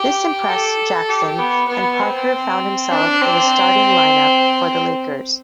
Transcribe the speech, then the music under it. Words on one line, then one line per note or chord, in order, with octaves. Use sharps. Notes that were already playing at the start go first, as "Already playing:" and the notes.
This impressed Jackson, and Parker found himself in the starting line-up for the Lakers.
Already playing: G4
A4
G4
B3
B3
C4
D4
C4